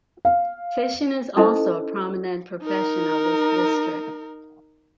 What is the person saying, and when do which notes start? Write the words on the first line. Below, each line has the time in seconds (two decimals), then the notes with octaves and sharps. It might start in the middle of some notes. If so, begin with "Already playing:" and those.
Fishing is also a prominent profession of this district.
0.25 F5
1.36 C#4 D#4 E4 A4 C5 D#5
2.62 D#4 A#4